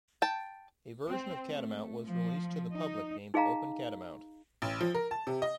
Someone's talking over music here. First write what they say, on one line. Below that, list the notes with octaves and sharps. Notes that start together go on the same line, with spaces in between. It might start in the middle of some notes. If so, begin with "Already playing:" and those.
A version of Catamount was released to the public named OpenCatamount.
G5 A5
C4
A3
F3
D#4
D#4 G#4 D#5 F5 A#5
A1
F3
A#4
A5
C3
D#5